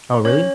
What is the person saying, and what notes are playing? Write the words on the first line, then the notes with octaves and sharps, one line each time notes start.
Oh, really?
C#4 C#5